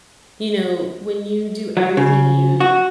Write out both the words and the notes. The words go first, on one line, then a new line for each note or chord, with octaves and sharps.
you know, when you do everything you
F#3
C#3
F#4